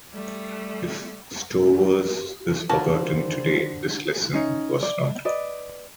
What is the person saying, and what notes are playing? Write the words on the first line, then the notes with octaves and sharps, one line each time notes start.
If Stowers is forgotten today, this lesson was not.
G3 A3
D3 G3 A#3 F#4 C5 A5
C#4 D#4
D5
B4 D5 D#5